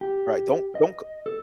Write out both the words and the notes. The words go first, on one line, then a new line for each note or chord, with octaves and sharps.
Right, don't don't c
G4
D#5
A4